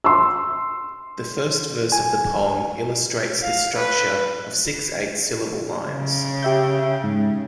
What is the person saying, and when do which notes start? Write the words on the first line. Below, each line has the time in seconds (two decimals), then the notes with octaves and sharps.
The first verse of the poem illustrates this structure of six eight-syllable lines.
0.04 C6 E6
1.92 G#5
3.42 F5
3.76 B4
5.87 C#3
6.43 G4 E5 G6
7.04 G#2